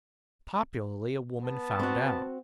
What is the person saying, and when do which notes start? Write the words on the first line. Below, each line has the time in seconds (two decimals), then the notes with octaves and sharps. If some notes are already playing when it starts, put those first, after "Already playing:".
Popularly, a woman found out.
1.43 B3 A5
1.79 C4 F#4